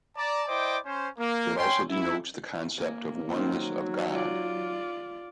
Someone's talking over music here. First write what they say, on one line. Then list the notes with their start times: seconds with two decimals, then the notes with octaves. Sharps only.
It also denotes the concept of oneness of God.
0.16 D5 A5 A#5
0.47 E4 C5 D5 D#5 G5 D6
0.85 C#4 C5
1.19 A#3
1.56 C#4 G5 C6
1.90 E4
2.78 A#3 G#5
3.30 D#3 F#3 C4
4.12 F4 D5